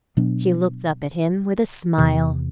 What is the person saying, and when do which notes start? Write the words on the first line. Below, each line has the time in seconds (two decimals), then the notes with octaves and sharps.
She looked up at him with a smile.
0.17 B2 F#3 B3 D4
1.98 E2 C3 E3